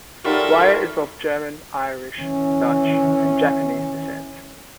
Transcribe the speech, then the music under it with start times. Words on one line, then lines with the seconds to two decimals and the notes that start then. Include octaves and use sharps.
Wire is of German, Irish, Dutch, and Japanese descent.
0.24 F#3 G3 D#4 F4 G4 A4 A#4 E5
2.19 E3 C#4